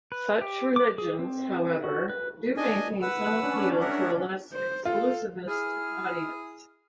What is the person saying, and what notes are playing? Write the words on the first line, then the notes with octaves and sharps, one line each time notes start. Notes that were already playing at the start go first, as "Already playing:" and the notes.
Such religions, however, do maintain some appeal to a less exclusivist audience.
B4
G4
D6
G#4
C4
F#4
B4
D4 D#5 G#5
B4 F#5 E6
C#4 D4
A#4 E5 F#5
C5
F4 A4 F5
E4 G#4 F6